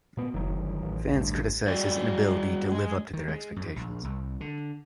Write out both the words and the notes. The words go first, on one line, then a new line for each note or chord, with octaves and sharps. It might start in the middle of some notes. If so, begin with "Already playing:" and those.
Fans criticize his inability to live up to their expectations.
A#2 B3
F#1 D#3 F#3
G1
A1
D2 G2
G3 F#4 D5
G#3
D#3
G#3
F#2
A#1
C2
D3